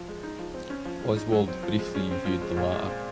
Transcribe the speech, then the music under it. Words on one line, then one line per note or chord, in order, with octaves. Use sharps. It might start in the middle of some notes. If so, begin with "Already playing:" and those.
Oswald briefly viewed the latter.
Already playing: F3
G#3
D#4
F3
C4
C#4
F3
G#3
D#4
F#3
C4
F3
G#3
C#4
C4
F3
G#3
A#2
G#3
C4